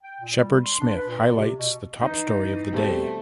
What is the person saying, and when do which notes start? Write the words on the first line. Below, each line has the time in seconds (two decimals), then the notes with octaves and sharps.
Shepard Smith highlights the top story of the day.
0.03 G5
0.19 A#2
0.38 G3
0.64 C6
0.79 D4
0.95 B4
1.07 A#2
1.35 C3
1.57 B2
2.02 E3 D#4
2.72 B2 G3 A3 C4